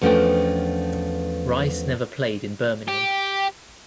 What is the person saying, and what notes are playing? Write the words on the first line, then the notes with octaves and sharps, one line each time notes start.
Rice never played in Birmingham.
E2 F3 A3 C#4 D4 G5
G4